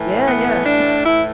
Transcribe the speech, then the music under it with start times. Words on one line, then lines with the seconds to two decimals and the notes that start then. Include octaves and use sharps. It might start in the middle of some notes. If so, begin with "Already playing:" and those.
Yeah, yeah.
Already playing: A2 E3
0.26 B3
0.65 D4
1.04 A2 E3 E4